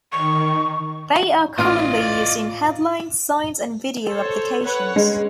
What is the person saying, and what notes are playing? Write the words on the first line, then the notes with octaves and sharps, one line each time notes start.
They are commonly used in headlines, signs, and video applications.
D#3 C#6
A1 F4 D5 D#5 C6 F6
A4 C5 C#5
B4 C#5 F#5
G#3 C#4